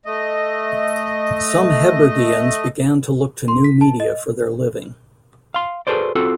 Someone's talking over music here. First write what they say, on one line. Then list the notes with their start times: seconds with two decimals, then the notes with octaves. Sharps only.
Some Hebrideans began to look to new media for their living.
0.06 A3 D#5
3.48 C6
3.64 B6
3.81 A5
4.00 D#5
5.54 F5 C6
5.87 F#4 G#4 A4 B4 C5 D5
6.15 C4 F4 F#4 A4